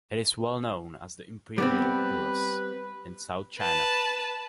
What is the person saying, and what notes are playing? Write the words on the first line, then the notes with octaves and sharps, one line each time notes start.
It is well known as the Imperial Palace in South China.
G3 B3 C4 B4
B4 A5